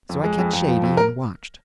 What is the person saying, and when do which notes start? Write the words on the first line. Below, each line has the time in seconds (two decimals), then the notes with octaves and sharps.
So I kept shady, and watched.
0.09 F2
0.24 G#3
0.38 F2
0.53 F2
0.68 F3
0.83 F2
0.97 A#4